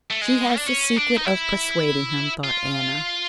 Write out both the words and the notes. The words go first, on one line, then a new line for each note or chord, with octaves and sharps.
'She has the secret of persuading him,' thought Anna.
A3
G#3
D4
C#4
D4
D#4
E4
F4